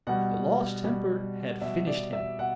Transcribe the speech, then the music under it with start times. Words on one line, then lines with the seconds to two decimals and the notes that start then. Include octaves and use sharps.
The lost temper had finished him.
0.07 B2 G3 F#5
0.83 B2 G3
1.61 B2 G3 E5
1.87 D5
2.13 E5
2.39 B2 F#5